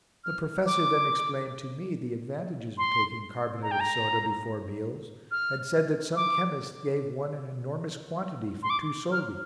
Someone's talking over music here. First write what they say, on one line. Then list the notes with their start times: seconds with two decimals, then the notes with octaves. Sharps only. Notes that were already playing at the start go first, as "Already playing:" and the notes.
The professor then explained to me the advantages of taking carbonate of soda before meals and said that some chemists gave one an enormous quantity for two soldi.
0.24 F6
0.66 D6
2.78 C6
3.63 A#5
3.71 G5
3.80 A#5
5.31 F6
6.16 D6
8.63 C6
8.70 D6
9.12 F6